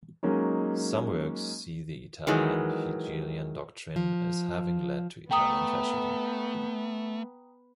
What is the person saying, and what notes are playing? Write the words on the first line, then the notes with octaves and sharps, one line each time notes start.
Some works see the Italian Hegelian doctrine as having led to Italian Fascism.
F#3 G#3 A#3 C#4 D#4
D#3 E3 F#3 G#3
F3
A3 B3 G5 A#5 D#6